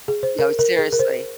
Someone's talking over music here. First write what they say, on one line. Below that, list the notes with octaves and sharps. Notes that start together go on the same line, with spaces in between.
No, seriously.
G#4
C5
A#4
A#4
G#4
A#4
C5